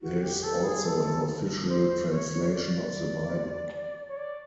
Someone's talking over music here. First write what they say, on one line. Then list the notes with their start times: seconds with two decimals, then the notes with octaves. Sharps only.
There is also an official translation of the Bible.
0.01 F#4
0.22 G4
0.43 A4
0.64 G#4
0.85 A4
1.68 C5
2.09 C#5
2.51 D5
4.09 C#5
4.17 D5